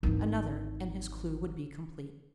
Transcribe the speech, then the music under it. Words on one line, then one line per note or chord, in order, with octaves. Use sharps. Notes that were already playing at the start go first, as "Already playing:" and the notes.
Another, and his clue would be complete!
G#1 E3